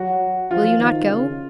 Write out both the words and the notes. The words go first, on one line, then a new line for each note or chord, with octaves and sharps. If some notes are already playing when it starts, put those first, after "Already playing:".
'Will you not go?
Already playing: F#3 F#4
F3 F4
D#3
C#3